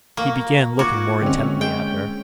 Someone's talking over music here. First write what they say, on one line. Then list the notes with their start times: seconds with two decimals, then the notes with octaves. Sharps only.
He began looking more intently at her.
0.17 A#3 C#6
0.79 F4 F#4 D6 G#6
1.22 D3 G#3 C4 C#4
1.61 G#3 G5